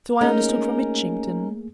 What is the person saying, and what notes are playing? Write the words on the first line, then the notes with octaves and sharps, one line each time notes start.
"So I understood from Mitchington."
A3 A#3 C#4 D#4 G#4 A#4